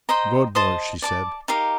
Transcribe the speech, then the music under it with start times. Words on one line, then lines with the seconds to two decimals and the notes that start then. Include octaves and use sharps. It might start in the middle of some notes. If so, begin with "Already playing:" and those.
"Good boy!" she said.
0.09 C5 D#5 G5 A#5
0.55 C5 D#5 A5 D#6
1.02 D5 A5 D6
1.48 D#4 G4 A#4 F5